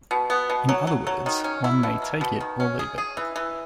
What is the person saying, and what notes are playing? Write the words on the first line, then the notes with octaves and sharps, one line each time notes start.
In other words, one may "take it or leave it".
B2
B3
B2
F#3
F#3
F#3
D#3
C#4
E4
B2
A#3
B2
D#3
C#4
G#4
G#4
E3
E3